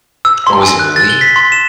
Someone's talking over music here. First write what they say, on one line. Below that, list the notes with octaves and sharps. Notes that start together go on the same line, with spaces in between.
Oh, is it really?
E6
C6
G#5
F#6
A6
G7
B6
C6
E7